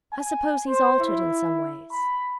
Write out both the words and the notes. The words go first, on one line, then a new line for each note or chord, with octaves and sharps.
'I suppose he's altered in some ways?'
G#5
C5
E4
B5